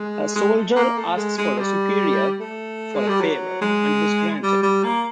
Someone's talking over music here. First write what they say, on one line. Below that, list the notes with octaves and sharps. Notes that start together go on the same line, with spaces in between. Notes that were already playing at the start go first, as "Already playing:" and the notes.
A soldier asks a superior for a favor, and it is granted.
Already playing: G#3
G#3
A3
A#3
A3
G#3
G#3
G3
A3
G#3
G3
F#3
G#3
G3
G3
A#3